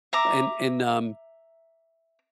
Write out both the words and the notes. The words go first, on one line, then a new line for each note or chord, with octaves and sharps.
and and, um,
E5 A#5 D6